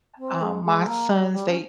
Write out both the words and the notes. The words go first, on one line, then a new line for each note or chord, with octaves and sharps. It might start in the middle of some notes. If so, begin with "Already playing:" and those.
Um, my sons, they
C4
G#3
G#3
A#3
G3
G3
C#4